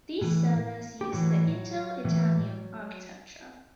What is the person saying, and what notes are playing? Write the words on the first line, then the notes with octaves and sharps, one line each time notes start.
These servers use the Intel Itanium architecture.
A2 E3
G4
A2 E3 F#3 F#4
A2 E3